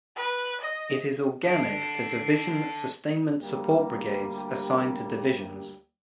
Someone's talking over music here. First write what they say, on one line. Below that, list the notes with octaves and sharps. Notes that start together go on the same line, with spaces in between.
It is organic to division sustainment support brigades assigned to divisions.
B4
D#5
D4 A4 C7 D7
D2 G3 A#3 G4